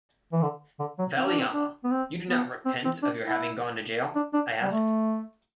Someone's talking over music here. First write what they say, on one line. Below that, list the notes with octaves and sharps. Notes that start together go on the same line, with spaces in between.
'Valliamma, you do not repent of your having gone to jail?' I asked.
E3
D3
D3
F#3
C4
D4
C4
D4
B3
C4
B3
C4
C4
D4
E4
D4
D4
G3
A3